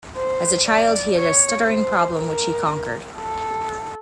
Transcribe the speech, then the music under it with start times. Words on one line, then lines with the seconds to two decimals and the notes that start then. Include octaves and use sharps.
As a child he had a stuttering problem which he conquered.
0.15 C5
0.66 D5
1.17 C#5
1.67 C5
2.17 A#4
3.18 A4